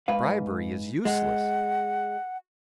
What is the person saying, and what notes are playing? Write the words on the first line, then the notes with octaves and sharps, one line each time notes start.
Bribery is useless!
G#2 B4 F5
G#3 F#5